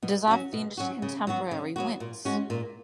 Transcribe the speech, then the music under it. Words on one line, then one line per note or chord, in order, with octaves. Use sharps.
Does our fiendish contemporary wince?
B2
F#3 C#4 F#4
B2
F#3 C#4 F#4
C#3
F#3 B3 F#4
C#3
F#3 B3 F#4
A#2
G#3 C#4 F#4
A#2